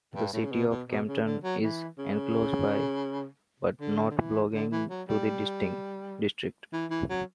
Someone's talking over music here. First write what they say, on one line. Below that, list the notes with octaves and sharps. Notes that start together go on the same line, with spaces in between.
The city of Kempten is enclosed by, but not belonging to the district.
G2
A2
C#3
B2
B2
B2
C#3
D3
F#3
E3
C#3
D3
D3
E3
D3
E3
F#3
G3
E3
E3
F#3